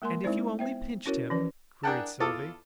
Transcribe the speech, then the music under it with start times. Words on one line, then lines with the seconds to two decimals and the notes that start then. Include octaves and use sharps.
"And if you only pinched him?" queried Sylvie.
0.02 G#3 A#3 A#4 G#5 C6
0.24 G#3 C4 D#4 E4 C5 D5
0.59 B3 C5 E5 G5
1.06 C#4 E4 F#4 A#4 C#5
1.30 E3 F3 C#4 B4 D5
1.83 D4 G#4 A#4 F#5 G5 A5
2.20 E2 F4 A4 D6 D#6